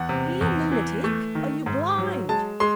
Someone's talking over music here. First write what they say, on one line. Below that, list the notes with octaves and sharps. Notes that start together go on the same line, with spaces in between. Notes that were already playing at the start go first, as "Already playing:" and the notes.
Here, lunatic! Are you blind?
Already playing: E2 F#5
C3
E2
E3
A3
D#3
G#2
F#3
G#3 A5
G#3 C6